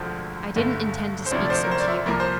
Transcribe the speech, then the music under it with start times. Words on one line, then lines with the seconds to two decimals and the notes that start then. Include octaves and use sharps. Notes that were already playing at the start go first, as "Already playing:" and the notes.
'I didn't intend to speak so to you.
Already playing: E1 D2 D3 F3 C5
0.56 G1 G2 D3 A3
1.26 C5
1.31 D2 C3 F3 A3 D5
1.45 D5
1.50 C5
1.64 A#4
1.71 C5
1.80 D5
1.88 E5
2.06 C2 A#2 F3 A#4
2.20 C5